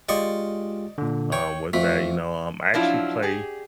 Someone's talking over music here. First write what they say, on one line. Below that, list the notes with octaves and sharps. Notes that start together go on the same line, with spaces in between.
um, with that, you know, um, I actually play,
G#3 F4 G4 D5 D#5 C#6
A#2 D3
C#5 G5 C#6
F2 A3 B6
F3 F#3 D4 E4 F4
G4 G#4